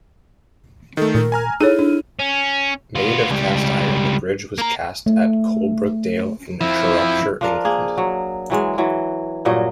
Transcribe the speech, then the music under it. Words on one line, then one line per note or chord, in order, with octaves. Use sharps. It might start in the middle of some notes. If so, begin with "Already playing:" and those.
Made of cast iron, the bridge was cast at Coalbrookdale in Shropshire, England.
D#3 A3 A4
A#2 A#4
G#5 A#5 F6
D#4 E4 G#4 A4 C#5 D#7
D4
C#4
B3 F4
C#2 G3
A#3 A#5
A3
F3 C4 E4
F3 D4 A#4
A#3 G#4
F#3
E3 F#3 G#3
E3 F#3
G2 A#2 F#3 D#5